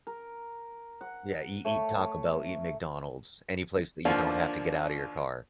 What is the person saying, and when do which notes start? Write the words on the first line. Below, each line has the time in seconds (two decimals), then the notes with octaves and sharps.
Yeah, eat eat Taco Bell, eat McDonald's, any place that you don't have to get outta your car.
0.07 A#4
1.01 F#5
1.65 A3 C#5
4.05 D#2 D3 F3 A#3 D4